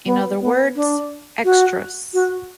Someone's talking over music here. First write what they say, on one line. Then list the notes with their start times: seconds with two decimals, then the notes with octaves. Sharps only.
In other words, extras.
0.05 B3
0.41 B3
0.75 D4
1.45 F#4
2.14 F#4